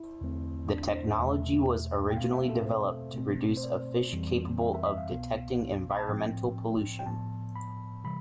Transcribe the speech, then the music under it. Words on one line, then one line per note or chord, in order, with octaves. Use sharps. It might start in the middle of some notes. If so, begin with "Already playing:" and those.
The technology was originally developed to produce a fish capable of detecting environmental pollution.
Already playing: E4
E2 D3 A3 C4
D4
C5
E2 B2 A3 E5
G5
B2 A3 C4 F5
E5
A4
C5
B2 A3 C4
C5
D5
F2 E3 G3 C4
E5
E5
E5
F5
C2 B2 B3
B5
A5
A2 F3 C4 G5
G5
A2 F3 B3 A5
B5
C3 E3 G3 B5